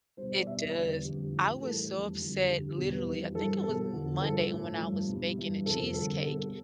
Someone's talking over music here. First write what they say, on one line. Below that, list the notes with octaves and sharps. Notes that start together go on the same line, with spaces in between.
It does, I was so upset, literally I think it was M Monday when I was baking a cheesecake,
B2 G3 C5
D5
B2 G3 E5
D5
E2 D3 G3 B4
F2 D3 G3 G4
A2 F3
A2 E3 G3 A4
F2 E3 G3
F2 D3 G3
G2 D3 G3 G4
E2 B2 G3 G4
B4
F2 E3 G3
G2 E3 G3 A4
B2 G3 A4
E2 D3 F3
G2 F3 A4
A2 F3
G2 F3
B2
G3
G2 E3 G3
F2 C3 F3 A4
G2 D3 G3 A4
B2 G3 A4
A4